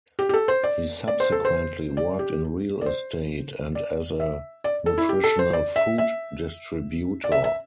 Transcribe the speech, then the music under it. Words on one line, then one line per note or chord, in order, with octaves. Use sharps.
He subsequently worked in real estate and as a nutritional food distributor.
G4
G4
A4
C5
D5
D5
C5
A4
C5
D5
G4
D5
C5
D5
E5
D5
A4
E4
G4
A4
C5
D5
E5
E5
D5
E5
E5